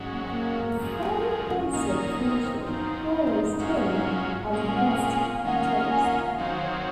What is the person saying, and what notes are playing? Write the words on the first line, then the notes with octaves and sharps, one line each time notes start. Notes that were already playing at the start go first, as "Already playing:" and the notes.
The final concert featured Charley Stone as guest guitarist.
Already playing: G#2 F#3 C#4
A#3
C4
A#3
F#2 F3 G#3
C#4
F#2 D#3 A#3 D#4
C4
C4
F4
F#2 F3 C4 D#4
F4
D#4
G#2 F#3 C#4 F4
A#2 G#3 C#4 F4
F#5
G#5
G#5
F5
D#3 A#3 C#4 F4 F#5
G#5
F#5
F#5
F5
D#3 F#3 C4 F5
C#5